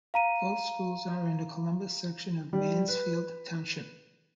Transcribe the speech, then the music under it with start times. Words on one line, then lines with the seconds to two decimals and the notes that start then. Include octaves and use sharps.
Both schools are in the Columbus section of Mansfield Township.
0.14 F5 A#5 D#7
2.53 G3
2.88 B4